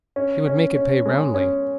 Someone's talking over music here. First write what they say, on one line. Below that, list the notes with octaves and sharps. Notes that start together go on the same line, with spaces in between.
He would make it pay roundly.
C#4
C#4
C#4
G#3
C#4